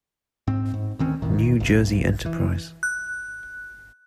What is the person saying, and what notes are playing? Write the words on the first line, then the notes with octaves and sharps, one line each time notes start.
New Jersey enterprise.
G#2 C4
G#2
D2 D#3 C4 C#4
G1 D#2 A2 D#3
F#1 B1
E3
F#6